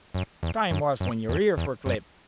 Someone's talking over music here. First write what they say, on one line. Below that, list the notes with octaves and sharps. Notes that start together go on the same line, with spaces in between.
Time was when your ears were clipped.
F#2
E2
F#2
F#2
E2
E2
F#2